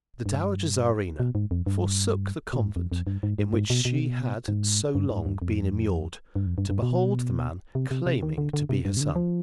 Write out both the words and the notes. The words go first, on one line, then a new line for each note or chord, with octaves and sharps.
The Dowager Czarina forsook the convent in which she had so long been immured to behold the man claiming to be her son.
G2
B2
G#2
F2
G2
B2
G#2
F2
F2
G2
G#2
G#2
G#2
B2
B2
C3
B2
G#2
G2
G#2
G2
F2
G2
F2
G2
G2
B2
C3
C3
C3
D#3
D3
D3
C3
G2
C3
D3
F3